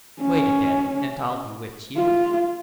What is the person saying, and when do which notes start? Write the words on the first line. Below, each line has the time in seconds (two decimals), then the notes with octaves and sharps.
Wait a bit, and I'll bewitch you!'
0.21 C#4
1.97 F4